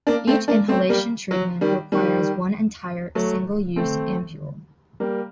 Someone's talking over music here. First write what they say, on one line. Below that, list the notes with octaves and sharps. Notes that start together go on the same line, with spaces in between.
Each inhalation treatment requires one entire single-use ampule.
A#3 D4
A3 C4
A#3 D4
A3 C4
G3 A#3
F#3
D#3 G3
D#3 G3
F#3 A3
A3 C4
G3 A#3